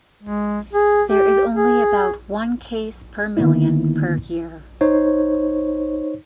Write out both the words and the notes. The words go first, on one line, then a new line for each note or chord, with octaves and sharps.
There is only about one case per million per year.
G#3
G#4
G4
G#4
D3 D#3 A#3 B3 D#4 E4
D#4 C5 C#5